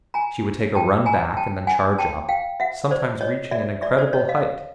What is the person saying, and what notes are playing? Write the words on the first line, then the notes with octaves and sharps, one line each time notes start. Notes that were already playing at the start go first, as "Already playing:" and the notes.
She would take a run back and then charge up, sometimes reaching an incredible height.
G#5 A#5
G5 A5
G#5 A#5
G5 A5
F#5 G#5
G5 A5
F5 G5
E5 F#5
C5 D5
C#5 D#5
D5 E5
D5 E5
C5 D5
C#5 D#5
D#5 F5